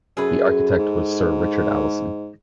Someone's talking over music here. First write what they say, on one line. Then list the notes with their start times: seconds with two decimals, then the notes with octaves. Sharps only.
The architect was Sir Richard Allison.
0.17 F#2 G#4 A4 B4
0.79 G#2